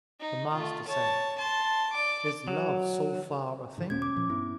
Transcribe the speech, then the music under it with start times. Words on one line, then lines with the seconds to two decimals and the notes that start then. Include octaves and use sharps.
The Master said, Is love so far a thing?
0.20 D#4
0.54 A3 F4
0.88 C#5 A5
1.38 A5 C6
1.93 D5 D6
2.48 F#3
3.78 G#2 D3 E3
3.90 E2 B2 C#4 G#6
4.02 D6
4.16 A#2 F3
4.30 G2 B3 E4